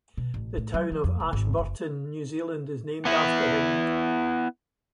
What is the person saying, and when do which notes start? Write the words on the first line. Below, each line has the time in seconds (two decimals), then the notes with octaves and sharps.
The town of Ashburton, New Zealand is named after him.
0.17 B2
0.34 A1
0.57 A2
0.74 F#3
0.92 F3
1.04 F2
1.20 F1
1.33 G#1
1.58 F#1
3.05 B3 E4